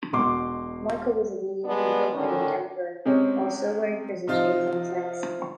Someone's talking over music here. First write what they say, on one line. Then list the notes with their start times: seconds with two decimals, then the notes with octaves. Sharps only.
Michael was immediately proclaimed Emperor, while still wearing prison chains on his legs.
0.13 E1 B2 C6 D6
1.65 G3 G#3 B3 D4 D5
2.13 A2 D3 D#3 C#4
3.05 C3 G#3 C4 C#4
4.27 C3 F3 D#4 F4